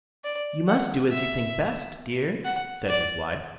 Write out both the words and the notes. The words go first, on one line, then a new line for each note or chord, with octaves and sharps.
'You must do as you think best, dear', said his wife.
D5
F#5
E5
F#5
D5